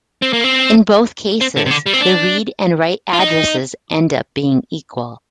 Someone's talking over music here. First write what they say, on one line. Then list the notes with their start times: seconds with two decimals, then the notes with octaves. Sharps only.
In both cases, the read and write addresses end up being equal.
0.22 C4
0.33 A#3
0.44 C4
1.41 C4
1.57 D3
1.66 C3
1.71 D3
1.86 G3
1.93 C4
2.01 D4
3.13 F4
3.20 D#4